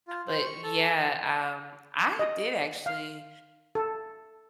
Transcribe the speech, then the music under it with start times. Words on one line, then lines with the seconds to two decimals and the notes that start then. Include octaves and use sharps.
But, yeah, um, I did actually
0.08 F4
0.28 C5
0.45 C#6
0.63 A4
2.19 D#5
2.86 F5
3.75 A4